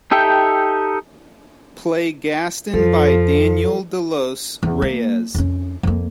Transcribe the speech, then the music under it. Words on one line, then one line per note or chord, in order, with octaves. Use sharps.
Play Gaston by Daniel De Los Reyes.
D#4 G4 A4 E5 G5
F2 F3 A4
E2
A#3
F2 C#4
F2 A#3